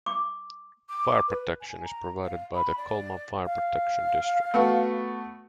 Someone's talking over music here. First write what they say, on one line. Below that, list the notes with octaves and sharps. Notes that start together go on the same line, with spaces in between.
Fire protection is provided by the Colma Fire Protection District.
D6
D6
B4
G#5
A#5
F5
B5
D5
F5
A3 B3 F#4